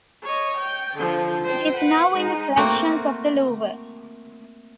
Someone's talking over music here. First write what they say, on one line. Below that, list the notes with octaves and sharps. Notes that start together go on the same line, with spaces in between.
It is now in the collections of the Louvre.
C#5 D#5
G5
D3 F3
C5 G5
B4 F#5
G#3 D#4
A3 A#3 C4 F#4